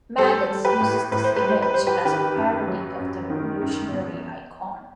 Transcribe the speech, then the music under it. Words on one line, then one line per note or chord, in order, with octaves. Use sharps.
Maddox uses this image as a parody of the revolutionary icon.
G3 A4 C5
G3
G4 B4
A2
A2 B4
C5
B4
G3
C5
B4
G3 C5
G4 B4
D#3 G4 B4
F#2
F#3
F#2
D#3
F#2
B2